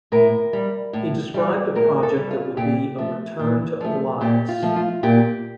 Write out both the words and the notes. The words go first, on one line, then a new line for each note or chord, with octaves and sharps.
He described a project that would be a "return to Olias".
A2 A#4
G3
A2
G3
A2 A#4
A4
G3
F4
A#2 G4
F3 A3
A#2
F3 A3
A#2 G4
F4
F3 A3
F4
A#2 G4